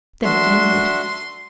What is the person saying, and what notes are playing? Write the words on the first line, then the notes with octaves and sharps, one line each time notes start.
Then it ended.
D4 F#4 E5 C6